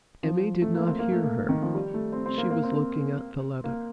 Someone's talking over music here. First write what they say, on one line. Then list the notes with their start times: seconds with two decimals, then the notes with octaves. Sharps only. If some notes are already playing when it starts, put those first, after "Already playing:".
Emmy did not hear her; she was looking at the letter.
0.23 F3
0.62 A3
0.74 A#3
0.86 C4
0.99 A#3
1.12 A3
1.24 A#3
1.49 D#3
1.62 F3
1.75 G3
1.94 A3
2.12 C4
2.26 C4
2.38 A#3
2.50 A#3
2.63 C4
2.75 C4
3.64 A#3